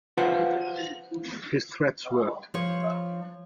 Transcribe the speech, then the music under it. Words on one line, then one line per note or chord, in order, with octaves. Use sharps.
His threats worked.
F4 B4 C5 F5 F#5
F3 C#5